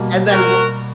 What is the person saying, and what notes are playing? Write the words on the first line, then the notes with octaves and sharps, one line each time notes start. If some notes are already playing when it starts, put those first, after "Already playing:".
and then w
Already playing: B2 G3 A#3
F#4 A#4